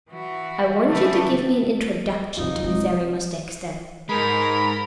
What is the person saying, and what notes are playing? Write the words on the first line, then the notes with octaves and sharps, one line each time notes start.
"I want you to give me an introduction to Miserrimus Dexter."
E3 F#4
C#3 E3 F#3 G3 A3 B3
D#2 A2 C3 D#4 F4
G#3
G#2 G#3 A#4 B5